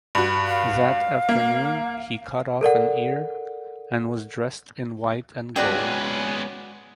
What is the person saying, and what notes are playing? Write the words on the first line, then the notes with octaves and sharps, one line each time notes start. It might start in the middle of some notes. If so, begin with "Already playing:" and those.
That afternoon he cut off an ear and was dressed in white and gold.
G2 F#4
F5
A#3
A4 A#4 D5 F#5
G#3 B3 C#4 F#4 G#4 B4 D5 G5